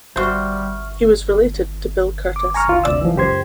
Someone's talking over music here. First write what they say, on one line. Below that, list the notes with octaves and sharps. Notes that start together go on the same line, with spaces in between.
He was related to Bill Kurtis.
G3 F#4 C5 E5 C#6 F6
D6
G#5 A#5 C#6 F6
D2 F4
D2 C3 D5 E6
E3 F3
C#2 F#2 G4 C5 C6 G#6